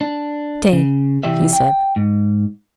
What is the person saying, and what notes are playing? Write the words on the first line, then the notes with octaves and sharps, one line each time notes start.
"Stay!" he said.
D4
C#3
C3 E3 G4 D5 E5
G5
G#2